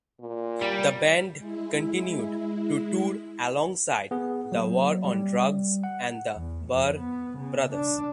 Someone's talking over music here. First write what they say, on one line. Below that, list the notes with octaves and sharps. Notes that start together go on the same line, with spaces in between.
The band continued to tour alongside The War on Drugs and The Barr Brothers.
A#2
G3
G#3 E4
B3 G#4
F#3 A#3
G3
F#5
E2
F2
B3
C#3
D4